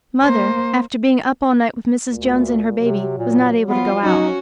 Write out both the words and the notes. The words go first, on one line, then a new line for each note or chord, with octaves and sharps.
Mother, after being up all night with Mrs. Jones and her baby, was not able to go out.
A#3 C5
D2 A#2
C3 F#3
A#2
F3 B3 F4
F#3 C#4 D#4 F#4